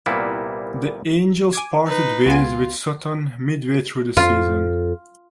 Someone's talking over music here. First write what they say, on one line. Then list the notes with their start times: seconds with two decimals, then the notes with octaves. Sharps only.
The Angels parted ways with Sutton midway through the season.
0.06 C2 A#2 G3 A#3 B3 E4
1.53 G#5 D6 G#6
1.86 D#4 B4
2.26 C#2 B3 F4 G#5
4.17 F2 F4